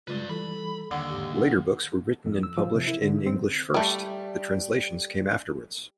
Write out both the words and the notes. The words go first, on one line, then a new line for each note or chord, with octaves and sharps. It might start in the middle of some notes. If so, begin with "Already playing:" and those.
Later books were written and published in English first; the translations came afterwards.
C#3 G3 G#3 F4 B4 D5
E3 G3 A4 B5
D#2 D3 F#5
E2 G#2 G4
A#2 G#4 F#5
F2
E6
F3
C3
E4
D3
C4
G3 A3